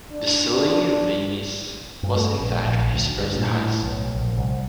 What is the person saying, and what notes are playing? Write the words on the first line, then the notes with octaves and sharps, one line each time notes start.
The Cellini Venus was, in fact, his first heist.
D4
G2
A3
A#1
A#1
D2
G2
A#2
A2
B1
A#1
C2